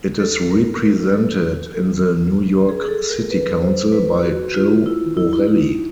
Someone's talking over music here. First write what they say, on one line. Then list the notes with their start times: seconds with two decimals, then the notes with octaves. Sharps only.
It is represented in the New York City Council by Joe Borelli.
0.20 A4
0.51 A#4
0.82 A#4
1.13 A4
2.69 G#4
2.82 G#4
2.89 A4
3.09 A#4
3.31 B4
3.62 C5
3.92 B4
4.23 F#4
4.54 F4
4.86 E4
5.17 E4
5.33 E4
5.47 D#4